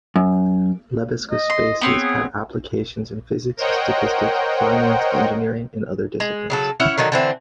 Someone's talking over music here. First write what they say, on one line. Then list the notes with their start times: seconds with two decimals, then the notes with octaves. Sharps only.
Lebesgue spaces have applications in physics, statistics, finance, engineering, and other disciplines.
0.16 F#2
1.31 D#5
1.50 C6
1.81 B3 C4 C#5
2.01 G#4
3.57 A#4 C5 C#5 D#5 F#5 G5
6.20 G#3
6.50 C#3 F#3 A4
6.80 C#4 E4 C#5 F#5
6.98 D3 D#3 F#3 D#4
7.12 D3 E3 C4